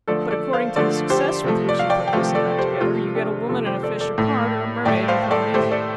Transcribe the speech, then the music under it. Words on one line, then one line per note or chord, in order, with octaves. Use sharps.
But, according to the success with which you put this and that together, you get a woman and a fish apart, or a Mermaid in combination.
D3 F3 A3 A4 D5
A4 D5
C5 F5
D3 F3 A3 A4 D5
G4 C5
C3 F3 A3
D5
F5
D5 G5
G5
C3 F3 A3 C5 F5
A4 D5
G4 C5
C3 F3 A3 F4
D4 G4
C3 F3 A3 F4 A4
G4 C5
A4 D5
A4 D5
A2 A3
A2 A3 D5 G5
C5 F5
A4 D5
A2 A3 G4 C5
A4 D5